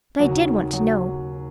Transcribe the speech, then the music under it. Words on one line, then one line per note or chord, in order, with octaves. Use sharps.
But I did want to know.
D#2 C#3 F#3 A#3
F#3